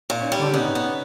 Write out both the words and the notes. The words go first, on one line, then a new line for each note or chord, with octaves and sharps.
Not a bit.
A#2
C#4 D#4
G3
B3 C#4 D#4
B3